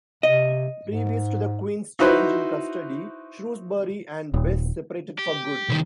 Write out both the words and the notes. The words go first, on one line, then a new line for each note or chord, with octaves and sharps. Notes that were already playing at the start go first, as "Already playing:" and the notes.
Previous to the Queen's change in custody, Shrewsbury and Bess separated for good.
C3 D#5
G#2
D#4 E4 F#4 B4 C5
D#1
G4
C2 D#3